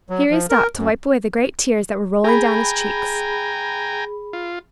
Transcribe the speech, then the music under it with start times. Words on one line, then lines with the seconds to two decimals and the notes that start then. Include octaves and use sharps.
Here he stopped to wipe away the great tears that were rolling down his cheeks.
0.10 F#3
0.30 F3
0.50 A#4
0.77 F#2
2.24 G#4 G5 G#5 A#5 B5
4.33 F4